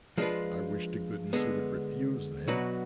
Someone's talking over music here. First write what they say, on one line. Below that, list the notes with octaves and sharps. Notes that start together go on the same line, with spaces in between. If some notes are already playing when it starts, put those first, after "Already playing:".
"I wish to goodness he would refuse, then!"
F3 G#3 D4 F4 B4
D3 G#3 B3
B2 F#3 D4 F#4 B4